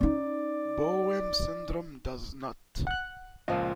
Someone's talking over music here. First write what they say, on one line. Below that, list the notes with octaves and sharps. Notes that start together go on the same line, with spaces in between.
Boehm Syndrome does not.
C#4 D#4 D5
F#5 F#6
C#2 A#2 F3 F4 D#5